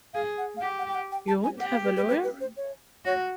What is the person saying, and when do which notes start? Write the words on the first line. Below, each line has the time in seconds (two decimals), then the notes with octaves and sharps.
You won't have a lawyer?
0.14 G#4 F5
0.38 F#5
0.57 F5
0.62 G4 F#5
0.79 F#5
0.88 G5
0.95 F#5
1.12 G5
1.28 A5
1.44 G#5
1.60 G4 F#5
1.72 F5
1.85 B4
1.96 B4
2.08 B4
2.24 B4
2.41 C5
2.57 C#5
3.05 F#4 C#5